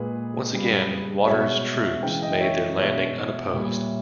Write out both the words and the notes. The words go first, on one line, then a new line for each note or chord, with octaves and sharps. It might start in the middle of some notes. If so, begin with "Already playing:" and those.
Once again, Waters' troops made their landing unopposed.
Already playing: A#2 G#3 G#4 B4
C#3 G3
B2 G#3 C#5 E5
C#3 E3 G#3 G5
D#5 G5
C#5 E5
B2 G#3 C#5 E5
A#2 G3